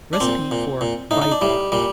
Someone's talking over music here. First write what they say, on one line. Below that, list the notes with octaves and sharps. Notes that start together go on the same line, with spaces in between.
Recipe for Baikwa.
D4
A#2 C4
A#2
A#2
A2 D#4
D#4
D4
A2 G3
A#2 G3